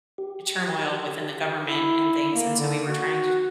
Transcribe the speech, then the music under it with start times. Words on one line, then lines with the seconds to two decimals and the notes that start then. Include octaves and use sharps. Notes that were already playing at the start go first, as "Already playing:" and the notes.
turmoil within the government and things, and, so, we were trying to
0.18 G4
1.67 E4
2.35 A#3
2.59 D3
2.88 F#4